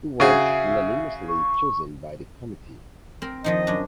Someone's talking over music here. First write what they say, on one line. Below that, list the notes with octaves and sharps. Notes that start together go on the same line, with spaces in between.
He was unanimously chosen by the committee.
C#3 F#4 G#4 E5
C#6
C4 A#4
D#3 F3 D#4 D#5
F#2 D4